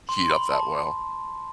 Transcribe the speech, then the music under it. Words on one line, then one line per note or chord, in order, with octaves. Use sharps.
heat up that well.
C6
B5
A5